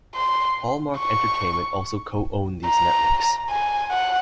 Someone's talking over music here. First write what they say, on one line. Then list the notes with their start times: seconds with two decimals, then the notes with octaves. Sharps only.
Hallmark Entertainment also co-owned these networks.
0.15 C6
0.99 C#6
2.66 A#5
3.50 G#5
3.91 F#5